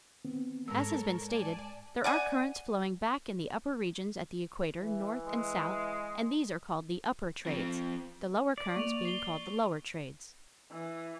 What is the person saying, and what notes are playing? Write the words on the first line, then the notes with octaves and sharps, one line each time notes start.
As has been stated, there are currents flowing back in the upper regions at the equator north and south, and these are called the upper trades--the lower currents being called the lower trades.
D#3 B3 C4
G#2 G#3 A4 A#4 C#5 E6
D5 G#5 A5
D5 F#5 G#5
E3
G#3
F3 C4
D5
A#3 C#6 F7
C7 G7
E3